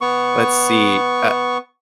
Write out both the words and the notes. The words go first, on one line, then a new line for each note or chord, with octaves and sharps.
Let's see, uh
B3 C#6